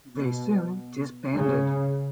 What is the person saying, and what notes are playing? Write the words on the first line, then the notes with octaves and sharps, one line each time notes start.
They soon disbanded.
B2
C#3